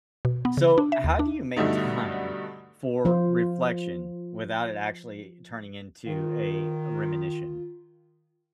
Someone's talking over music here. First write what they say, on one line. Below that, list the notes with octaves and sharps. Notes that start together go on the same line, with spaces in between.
So how do you make time for reflection without it actually turning into a rumination?
B2
B3
C#3
D4
E5
D#2
D4
G2 B2 D3 A3 D#4
F3 F4 C5
D#3 F4